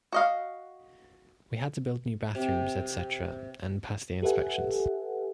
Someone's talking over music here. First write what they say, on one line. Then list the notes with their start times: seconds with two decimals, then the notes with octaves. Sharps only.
We had to build new bathrooms, etc., and pass the inspections.
0.12 F#4 D#5 F5
2.35 C3
4.22 G4 A4 B4 E5 F#5 G#5